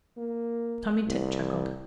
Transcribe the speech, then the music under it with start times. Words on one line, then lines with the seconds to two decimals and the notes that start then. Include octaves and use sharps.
Tommy Tit chuckled.
0.18 A#3
1.07 C2